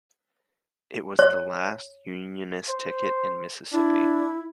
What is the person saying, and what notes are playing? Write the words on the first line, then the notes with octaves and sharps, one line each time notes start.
It was the last Unionist ticket in Mississippi.
C#5
C5
D4 E4